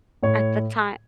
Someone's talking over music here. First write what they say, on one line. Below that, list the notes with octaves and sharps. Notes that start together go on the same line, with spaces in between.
at the time
A2 C#5